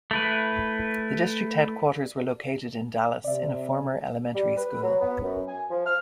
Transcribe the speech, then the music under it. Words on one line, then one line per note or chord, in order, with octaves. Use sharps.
The district headquarters were located in Dallas, in a former elementary school.
A3 E4 B4
C3 D5 E5
G3
B4
F#3
B3
F#2
G#5
F3
F6